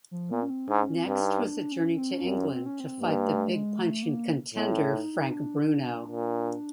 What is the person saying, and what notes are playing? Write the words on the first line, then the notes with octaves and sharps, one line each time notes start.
Next was a journey to England to fight the big-punching contender Frank Bruno.
F3
A#2 B3
C#4
C4
G#2 D4
C#4
C4
G2
D#4
D4
C#4
C4
C#4
F#2 C4
C#4
C4
C#4
C4
G2 A#3
A3
G#3
A3
A#3
A2 B3
C4
C#4
D#4
D#4
D4
A#2